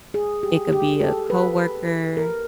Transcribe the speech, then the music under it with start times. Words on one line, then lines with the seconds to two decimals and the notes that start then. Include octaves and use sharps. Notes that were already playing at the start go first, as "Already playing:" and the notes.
It could be a coworker,
0.14 G#4
0.43 G4
0.72 G4
1.01 A4
1.30 B4
2.17 A#4